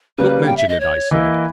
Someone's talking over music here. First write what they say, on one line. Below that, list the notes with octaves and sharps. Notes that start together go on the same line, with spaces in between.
"Don't mention it," I said.
C#3 G3 A#3 B4
G5
E5
D#5
C#5
E3 A#3 E4 D#5